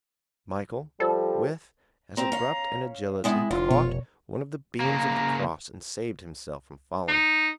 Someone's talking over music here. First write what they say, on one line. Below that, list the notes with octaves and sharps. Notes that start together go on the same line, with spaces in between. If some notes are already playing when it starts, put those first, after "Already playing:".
Michael, with as abrupt an agility, caught one of the beams of the cross and saved himself from falling.
F3 G3 A4
C4 G4 C5 A#5
C#4 F5
C3 G#3 B3 E4
F1 D3 F4
B2 C#5
C#3 A#3 A#5
D#4